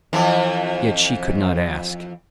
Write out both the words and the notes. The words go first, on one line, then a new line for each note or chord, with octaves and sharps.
Yet she could not ask.
F2 E3